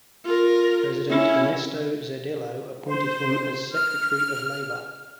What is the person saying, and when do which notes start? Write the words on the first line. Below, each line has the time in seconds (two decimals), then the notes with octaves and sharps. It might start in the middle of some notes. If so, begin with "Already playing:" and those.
President Ernesto Zedillo appointed him as Secretary of Labor.
0.25 F4 A#4
1.09 C#4 E4
2.87 C5
3.72 F6